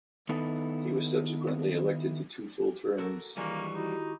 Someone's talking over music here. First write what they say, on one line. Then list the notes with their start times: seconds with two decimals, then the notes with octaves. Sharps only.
He was subsequently elected to two full terms.
0.29 D#3 B3 D#4 E4 A4 B4
2.98 F#4 A4 A#4
3.37 D#3 E3 G3 G#3 A#3 C#6
3.75 D#4 E4 F#4 G4